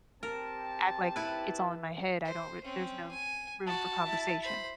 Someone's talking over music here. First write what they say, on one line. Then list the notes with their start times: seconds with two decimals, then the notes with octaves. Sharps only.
act like it's all in my head, I don't re there's no room for conversation.
0.23 C4 G4 A#4 A5
1.16 E4 B4
2.25 C5
2.64 C4 C#4
3.11 G#5
3.66 F#4 A5
4.06 E4
4.43 C5 B5